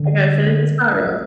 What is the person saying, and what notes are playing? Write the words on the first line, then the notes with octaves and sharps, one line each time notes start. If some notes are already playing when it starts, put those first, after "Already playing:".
“I gotta finish this pot roast.”
Already playing: D3